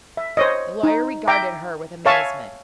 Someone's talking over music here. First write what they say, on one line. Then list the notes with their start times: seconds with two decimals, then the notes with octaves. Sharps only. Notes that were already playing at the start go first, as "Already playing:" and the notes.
The lawyer regarded her with amazement.
0.17 E5
0.37 C5 C#5 D#5
0.83 D#4
1.27 E5 G5 A#5 D6
2.06 C#5 E5 F5 G#5 A5 C#6